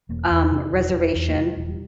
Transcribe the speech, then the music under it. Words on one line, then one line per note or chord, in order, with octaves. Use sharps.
um, reservation,
E1 A#3
E2
C3
E1
E1
E2
A#3
C3 G#3
E1
G3